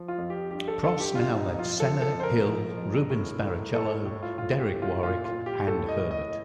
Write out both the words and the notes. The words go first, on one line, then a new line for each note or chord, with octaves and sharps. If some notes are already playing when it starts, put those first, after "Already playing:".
Prost now led Senna, Hill, Rubens Barrichello, Derek Warwick and Herbert.
Already playing: F3
F4
F2
G4
G2 G4
A4
G2 A4
G4
G3 F4
D#4
F2
F4
F3 A4
A4
F2
C5
A#4
F3
F2
A2
A2
A2 A4
A2
F4
A2 F4
G4
A2
F4
A#2 F4
F4
A#2
G4
A2 A4
D#5
A2
D#5